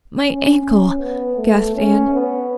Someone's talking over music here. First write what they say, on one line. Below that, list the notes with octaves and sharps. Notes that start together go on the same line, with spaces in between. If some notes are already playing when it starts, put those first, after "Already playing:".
"My ankle," gasped Anne.
C#4
B3
A3
C#4
B3